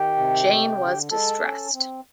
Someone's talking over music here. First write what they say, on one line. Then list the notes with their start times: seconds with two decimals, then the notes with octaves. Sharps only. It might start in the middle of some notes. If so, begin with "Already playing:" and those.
Jane was distressed.
Already playing: D#3 G4 G5
0.18 C3
0.49 G#3
0.80 D3
1.11 G#3 A4 A5
1.42 C#4
1.73 C4